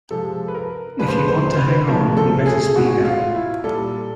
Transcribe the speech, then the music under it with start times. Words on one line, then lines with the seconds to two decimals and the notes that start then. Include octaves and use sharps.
If you want to hang on you better speed up.
0.11 C3 F3 G#3 A4
0.48 B4
0.54 A#4
0.99 A#2 F3 G#3 B4
1.08 C5
1.17 B4
1.28 C5
1.53 C5
1.58 B4
1.87 A2 F3 G#3 A#4
2.17 A4
2.46 G#4
2.76 A2 E3 G#3 F#4
3.05 F4
3.35 E4
3.64 A#2 G3 A4